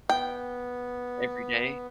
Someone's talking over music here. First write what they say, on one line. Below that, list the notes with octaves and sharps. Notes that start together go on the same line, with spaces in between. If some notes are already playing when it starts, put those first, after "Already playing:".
every day?
B3 G5